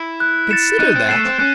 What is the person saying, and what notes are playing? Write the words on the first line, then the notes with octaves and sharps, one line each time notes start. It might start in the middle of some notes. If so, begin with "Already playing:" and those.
Consider that!
Already playing: E4
F#6
A6 C#7 E7
D#4 F#6
C4
A3 C7 E7
C4
C#4 F#6